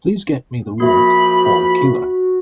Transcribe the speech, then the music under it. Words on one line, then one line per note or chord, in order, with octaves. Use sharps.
Please get me the work, All Killer.
F3 A#3 F#4 E5 B5